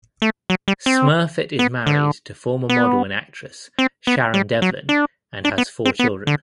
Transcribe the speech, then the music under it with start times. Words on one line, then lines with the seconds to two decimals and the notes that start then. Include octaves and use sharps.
Smurfit is married to former model and actress Sharon Devlin and has four children.
0.22 A3
0.50 F#3
0.68 G3
0.86 C4
1.59 B3
1.87 D3
2.69 B3
3.79 C4
4.07 B3
4.34 G3
4.62 F#3
4.89 D4
5.45 D4
5.58 B3
5.85 C4
5.99 B3
6.27 D3